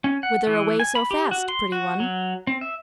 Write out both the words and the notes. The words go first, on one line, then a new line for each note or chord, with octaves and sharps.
"Whither away so fast, pretty one?"
C#4
F#5
E3
G#5
B5
G4
F#4
C6
F#4
F#3
C4
E5